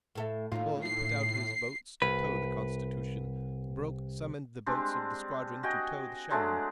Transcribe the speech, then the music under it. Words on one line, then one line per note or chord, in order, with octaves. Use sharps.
Hull put out his boats to tow the Constitution; Broke summoned the boats of the squadron to tow the Shannon.
A2 A4 E5
D#2 A2 D#4 F4
C7
C2 B4
G3 G#3 C4 D4
F#4 G#4 D#5 G5
F#3 G#3 A3 D4